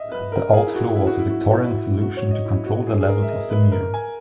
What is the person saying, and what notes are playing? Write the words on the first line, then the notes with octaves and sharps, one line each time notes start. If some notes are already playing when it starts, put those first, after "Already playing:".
The outflow was a Victorian solution to control the levels of the mere.
Already playing: D#5 E5
B4
A#4
G#4
E4
F#4
E4
F#4
E4
F#4
E4
F#4
E4
F#4
C#5
D#5
E4
F#4
G#4
G#4
A#4
E5
D#5
B4
A#4
G#5